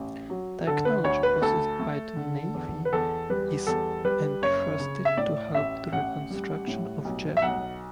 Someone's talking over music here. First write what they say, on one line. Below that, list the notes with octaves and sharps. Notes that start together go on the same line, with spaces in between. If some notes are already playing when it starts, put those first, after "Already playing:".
Technology possessed by the Navy Is entrusted to help the reconstruction of Japan.
Already playing: A1
F#3
D3 A4
B4
D2 C#5
B4
D2 A4
A3
D3
E2
B4
E2 A4
G3 B4
E2 A4
G3 B4
F#1 C#5
C#3
E5
A2 D5
A1 E5
A1 F#5
G3
A2
B1
E5
B1 F#5